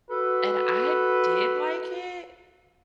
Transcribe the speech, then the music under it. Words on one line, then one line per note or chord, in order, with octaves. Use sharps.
And I did like it,
F#4 A4 B4